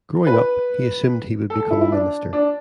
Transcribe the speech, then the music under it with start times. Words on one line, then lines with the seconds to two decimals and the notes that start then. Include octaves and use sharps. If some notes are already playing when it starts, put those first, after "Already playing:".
Growing up, he assumed he would become a minister.
0.27 B4
1.50 A4
1.60 A4
1.70 E4
1.81 E4
1.92 D4
2.33 D4